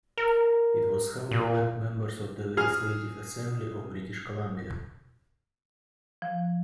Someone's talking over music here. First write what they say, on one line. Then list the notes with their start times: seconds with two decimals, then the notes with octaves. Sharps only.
It was held to elect members of the Legislative Assembly of British Columbia.
0.17 A#4
1.31 A#2
2.57 G#4 F6
6.22 F3